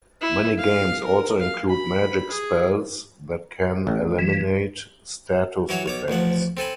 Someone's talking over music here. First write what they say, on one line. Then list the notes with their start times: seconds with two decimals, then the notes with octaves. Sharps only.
Many games also include magic spells that can eliminate status effects.
0.21 E4
0.58 F5
1.04 A#4
1.39 F5
1.70 B5
2.31 G#4
3.87 A1
4.19 E3
5.69 E3 F#3 F#4 C#5
5.86 B1 C#5 D6
6.08 A1 D2 F3 F#5
6.57 C4 A4 G#5 B5